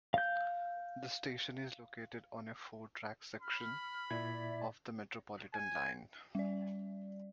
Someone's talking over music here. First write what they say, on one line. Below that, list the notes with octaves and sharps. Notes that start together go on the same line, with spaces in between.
The station is located on a four-track section of the Metropolitan line.
F5 G6
B5 F6
A#2 E4 D5 E5 G#6
G#5
G3 D5